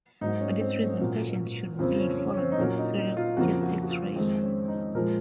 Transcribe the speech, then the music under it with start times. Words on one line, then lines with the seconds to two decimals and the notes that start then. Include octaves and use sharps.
For this reason, patients should be followed with serial chest X-rays.
0.21 G#2 F#3 A#3 D#4
0.41 C#4
0.60 C4
0.81 C#4
1.00 A#2 F#3 A#3
1.79 F2 C#3 F3 A#3 C4
1.99 C#4
2.18 C#4
2.34 C#4
2.38 C4
2.52 D#4
2.58 A#2 F#3 A#3 C#4
2.78 D#4
2.97 D#4
3.17 F4
3.36 F2 C#3 F3 A#3 F#4
3.63 F#4
3.83 F#4
3.89 F4
4.16 F2 D#3 G#3 C4
4.42 C#4
4.68 D#4
4.95 A#2 F3 G#3 A#4